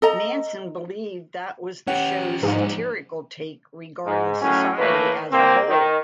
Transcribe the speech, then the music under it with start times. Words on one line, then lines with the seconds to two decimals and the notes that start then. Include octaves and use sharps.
Manson believed that was the show's satirical take regarding society as a whole.
0.02 A4 D#5 A#5
1.87 C#4 G4 C#5 F#5 G5
2.43 G#2 F3 D5
4.06 G#2
4.41 F#2 A2 F#3 C#4
4.78 A2 E3 A3 A#3 B4
5.32 C2 A#3 C4
5.69 D#3